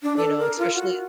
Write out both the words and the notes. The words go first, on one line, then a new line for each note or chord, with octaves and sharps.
you know, especially at
D4
A4
A#4
F4
F#4